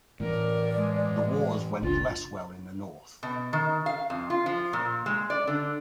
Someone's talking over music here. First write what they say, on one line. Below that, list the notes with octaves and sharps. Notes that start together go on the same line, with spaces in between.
The wars went less well in the north.
A2 E3 A#4 D5
G#3
F#1 C#2 D4 F4
B2
D#3
F5
F2
F4
F3
A#2
G#3
D5
D3